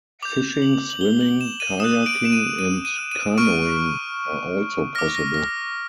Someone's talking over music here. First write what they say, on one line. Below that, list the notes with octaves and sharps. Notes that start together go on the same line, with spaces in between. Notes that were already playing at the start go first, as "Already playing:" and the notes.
Fishing, swimming, kayaking, and canoeing are also possible.
D6 G6 F7
F#7
F#7
G7
F#7
E7
D#7
D#6 F#6 E7
D7
E7
D#7
D#7
D#7
D#7
C#6 F6 D7
D6 F6 A#6
A#6
A#6